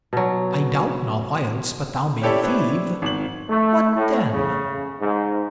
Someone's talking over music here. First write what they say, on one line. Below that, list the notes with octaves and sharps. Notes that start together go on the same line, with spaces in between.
I doubt na, whiles, but thou may thieve; What then?
B2 F#3
C#4 E4 G4 A4 C#5 D5
B3 D4 E4 C5 C#5
G#1 F#7
A3
A2
C#3
G#2